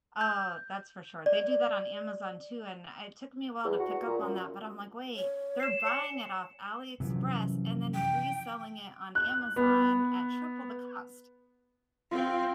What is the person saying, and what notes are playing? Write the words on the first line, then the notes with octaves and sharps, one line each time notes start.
Oh, that's for sure. They do that on Amazon too, and I it took me a while to pick up on that, but I'm like, "Wait, they're buying it off Ali Express, and then reselling it on Amazon at triple the cost."
G6
D5
E2
F#4
A#2
F#2
C#5
C7 E7
G#5 C#7
F#2 C3 E3 F3
G5
F#6
B3
C4 F4 G5